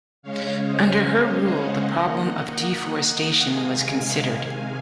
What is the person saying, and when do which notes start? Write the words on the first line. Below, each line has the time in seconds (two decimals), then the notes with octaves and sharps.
Under her rule the problem of deforestation was considered.
0.22 C#3 G#3 C#4 C#5 F5
0.62 C5 D#5
1.03 C#5 F5
1.44 D#5 F#5
1.84 D#3 A#3 D#4
3.47 C3 D#3 G#3 F5 G#5